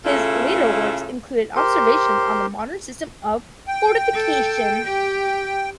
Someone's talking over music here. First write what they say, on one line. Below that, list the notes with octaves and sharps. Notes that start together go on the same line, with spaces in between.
His later works included "Observations on the Modern System of Fortification".
C#3 A3 E4 F4 A4
G4 A#4 C5 C6
G5
A4
G4